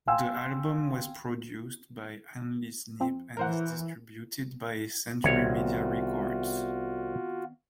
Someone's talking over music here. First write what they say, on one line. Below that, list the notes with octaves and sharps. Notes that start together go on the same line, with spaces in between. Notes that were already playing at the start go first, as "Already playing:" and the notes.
The album was produced by Andy Sneap and is distributed by Century Media Records.
F5 G5 G#5 C6 E6
F2 F3 C4
E3 A#4 C5 F#5
C2 D#3 B3 C4 F4 F#4 C#5